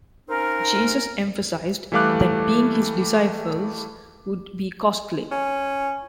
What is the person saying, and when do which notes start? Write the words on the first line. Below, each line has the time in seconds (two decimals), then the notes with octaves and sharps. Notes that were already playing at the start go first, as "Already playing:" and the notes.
Jesus emphasised that being his disciples would be costly.
0.29 C4 C#4 D#4 F4 A#4
1.92 E3 G3 A3 F5 D6 F#6
5.31 C#4